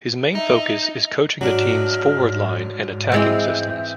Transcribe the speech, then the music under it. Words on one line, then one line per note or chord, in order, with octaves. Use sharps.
His main focus is coaching the team's forward line and attacking systems.
D#4 E5
G#2 F#3 D4 D#5 A5 F6
E3 G#3 C4 E5 G6